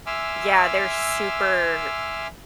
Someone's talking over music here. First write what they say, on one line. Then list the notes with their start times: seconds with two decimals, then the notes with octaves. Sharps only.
Yeah, they're super
0.06 E5 G#5 C6 D6 E6 F6